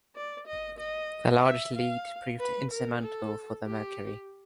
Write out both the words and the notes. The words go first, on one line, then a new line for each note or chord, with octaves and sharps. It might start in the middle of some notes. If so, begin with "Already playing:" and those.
The large lead proved insurmountable for the Mercury.
D5
D#5
D#5
E5
F5
B4
A#4
A4
G4